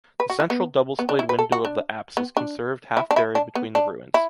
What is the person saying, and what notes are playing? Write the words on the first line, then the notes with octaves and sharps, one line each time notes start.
The central double splayed window of the apse is conserved half buried between the ruins.
B4
F#4
E4
B3
B3
D4
E4
B4
A4
F#4
D4
B3
D4
E4
D4
E4
D4
B3
D4
E4